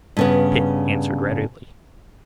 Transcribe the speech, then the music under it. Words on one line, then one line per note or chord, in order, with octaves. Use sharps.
Pitt answered readily.
G2 C#3 B3